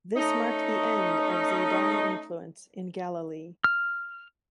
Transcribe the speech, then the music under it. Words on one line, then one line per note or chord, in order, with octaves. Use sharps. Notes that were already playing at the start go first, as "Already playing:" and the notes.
This marked the end of Zaydani influence in Galilee.
A3 C#4 D#4
F6